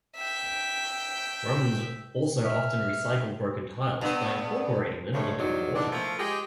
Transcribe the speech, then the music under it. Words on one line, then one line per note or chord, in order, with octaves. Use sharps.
Romans also often recycled broken tiles by incorporating them into mortar.
E5 G5
E5 F6
G2 B3
G2 F3 G#3 A3 C#5
E2 F#3 G3 D#4 G4
E2 D3 D4 D#4 D5
F3 A3 A#3
G#3 G4